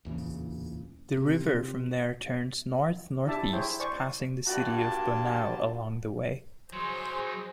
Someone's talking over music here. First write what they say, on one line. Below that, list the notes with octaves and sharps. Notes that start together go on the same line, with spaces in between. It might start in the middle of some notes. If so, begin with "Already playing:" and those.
The river from there turns north-northeast passing the city of Bonao along the way.
D1 E2 A#2 C#3
C3
D4 E4 G4 D5 E5 A5
E4 G#4 C5 C#5 G5
C5 D5 G#5 C#6
G2 A#3 F#4 D5 A5
F#3 D#4 G#4 C5 C6